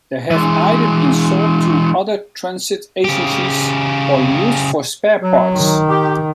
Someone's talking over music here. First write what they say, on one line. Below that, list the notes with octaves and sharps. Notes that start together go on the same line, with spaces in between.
They have either been sold to other transit agencies or used for spare parts.
E3 G#3
C#3 G4
F#3
D#3
G4